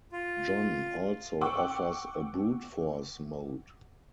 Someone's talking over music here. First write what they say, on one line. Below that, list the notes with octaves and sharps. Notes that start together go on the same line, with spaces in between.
John also offers a brute force mode.
F4
F#5 G5 C#6 D6 E6